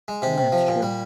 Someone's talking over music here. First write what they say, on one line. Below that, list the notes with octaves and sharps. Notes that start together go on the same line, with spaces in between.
Yeah, it's true.
G#3
C3 G4
C3
F3
A#2
G3